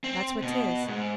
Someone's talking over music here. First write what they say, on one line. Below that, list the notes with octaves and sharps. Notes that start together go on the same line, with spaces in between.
"That's what 'tis."
C4
B2
G#2